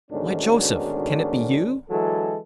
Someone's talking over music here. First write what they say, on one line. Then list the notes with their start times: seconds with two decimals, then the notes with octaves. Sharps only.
"Why, Joseph! can it be you?"
0.11 D2 G#2 B2 D#3 C#4 D4
1.90 D3 E3 F#3 G#3 A4